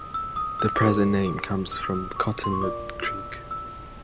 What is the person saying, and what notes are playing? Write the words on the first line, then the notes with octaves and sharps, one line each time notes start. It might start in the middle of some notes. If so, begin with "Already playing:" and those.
The present name comes from Cottonwood Creek.
Already playing: D#6 E6
E6
D#6
E6
D6
D4 G4 A#4 C#5 C#6
D6
E6
D#6
E6
C#6
C6
C#6
F4 A#4 D5 D6
E6
E6